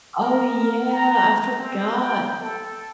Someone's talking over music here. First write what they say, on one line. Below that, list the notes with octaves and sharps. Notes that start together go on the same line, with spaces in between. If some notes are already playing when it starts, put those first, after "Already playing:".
Oh yeah, I forgot.
A#4
A#5
C4
G5
A4